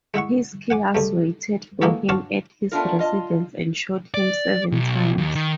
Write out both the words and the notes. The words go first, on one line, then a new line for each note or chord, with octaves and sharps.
His killers waited for him at his residence and shot him seven times.
G#3 E4 F#5 C#6
F#5 G#5 D6
C#2 G3 A3
E3 G#3 A#3 F#4 G#4 A4
D4 F4 F#4 C#5 F5 A5
A3 B3 D4 F4 A#4
F4 D#5 A5
D5
B1
D#2
D#3